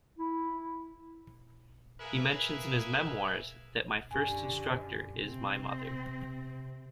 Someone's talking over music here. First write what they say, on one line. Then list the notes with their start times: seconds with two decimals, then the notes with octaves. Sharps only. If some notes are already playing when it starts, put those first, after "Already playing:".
He mentions in his memoirs that "my first instructor is my mother".
0.19 E4
2.00 G#4 A#4 B4 E5 F5 G#5
4.11 F#2 D3 G4 G#5
5.15 C3 C4